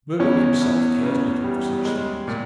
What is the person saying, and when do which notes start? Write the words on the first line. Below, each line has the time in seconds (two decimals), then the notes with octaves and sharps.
Murdock himself cares little for such things.
0.19 E2 C#4
0.62 E2
1.03 C#3
1.44 G3
1.85 G#3
2.28 A#2